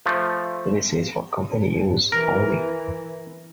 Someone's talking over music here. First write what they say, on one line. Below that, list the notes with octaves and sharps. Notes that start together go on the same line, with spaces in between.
This is for company use only.
F3 A3
E3 A#4